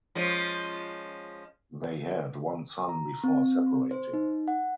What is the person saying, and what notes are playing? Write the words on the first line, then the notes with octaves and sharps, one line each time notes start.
They had one son before separating.
F3 G#3 C#4
A#5
C4
C5
D#4
F#5